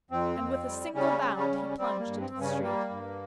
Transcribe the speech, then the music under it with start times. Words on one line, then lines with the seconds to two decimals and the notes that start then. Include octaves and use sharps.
And with a single bound he plunged into the street.
0.10 F2 C4
0.40 F2
0.66 G3
0.94 C#3 G3 C#4
1.22 G3
1.36 C#3 C#4
1.51 G3
1.78 G3 C4
2.00 A#3
2.06 G2
2.20 C4
2.34 G2
2.41 C#3 C#4
2.62 G3 A#3
2.90 G2